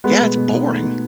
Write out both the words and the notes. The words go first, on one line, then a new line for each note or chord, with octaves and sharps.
Yeah, it's boring.
G#3 A3 B3
B2
B2
D#4
A3
B2